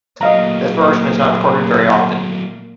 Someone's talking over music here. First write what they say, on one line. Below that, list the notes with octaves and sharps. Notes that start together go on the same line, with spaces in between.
This version is not recorded very often.
A#2 F#3 A3 A#3 D#5 F5 A#5